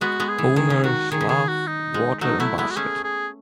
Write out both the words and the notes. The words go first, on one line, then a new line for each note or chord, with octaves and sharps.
Owner’s love, water in basket.
G#3 B3 F#4
G#3 B3
G#4
E3
D#3 G#4
C#3
D#3 F#4
D#3 G#4
C#3
D#3 G#4
F#4
D#4
G#3
F#3 A3 D#4
F#3 A3 E4
G#3 B3 E4
F#4
A3 C#4 G#4
G#4